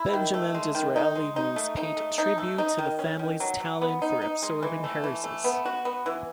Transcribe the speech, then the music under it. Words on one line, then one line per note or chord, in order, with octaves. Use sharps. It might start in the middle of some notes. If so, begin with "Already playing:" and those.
Benjamin Disraeli once paid tribute to the family's "talent for absorbing heiresses".
Already playing: E4
D#3
A3
G#3
D#3
D#4
G#3
D#4
A3
D#4
A3
D#4
A3
D#4
D#3
C#4
D#3
F#3
F#3
B3
D#4
D#4
G#3
E3
A3
E3
A3
B3
F#4
B3
E3